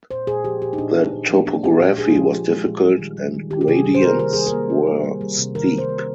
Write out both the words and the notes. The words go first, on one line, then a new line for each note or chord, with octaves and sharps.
The topography was difficult and gradients were steep.
A#2 C5
A#2 G#4
F3 G4
A#2 G4
D#4
A#2 D4
A#2
A#2
F3
F3 D4
G#3 G4
A#2 G4
A#2 G#4
F4
F3 G4
G#3
G#3
A#2
G3
D#3
G3
D#3
D#3 G4
G4
C3 G#4
G3
C5
A#3 A#4
D#3 A#4
G3 G#4
A#4
A#3
A#3
G3
G3
G3
C3
D#3 A#4
D#3
C5
A#3